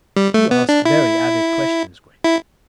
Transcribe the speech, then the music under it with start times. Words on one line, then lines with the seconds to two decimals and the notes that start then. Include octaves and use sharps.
"You ask very avid questions, Gregg!"
0.16 G3
0.34 A3
0.51 B3
0.69 D4
0.85 E4
2.24 E4